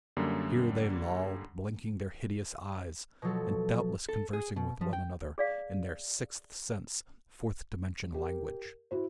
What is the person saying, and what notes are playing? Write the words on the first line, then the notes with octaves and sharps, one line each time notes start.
Here they lolled, blinking their hideous eyes, and doubtless conversing with one another in their sixth-sense-fourth-dimension language.
F#2 D3 G3 A#3
B2 F3 F#3 A4
A4
G#4
B2
F3
G5
G#4 D5 F5
G4 A#4
E4 F#4 C5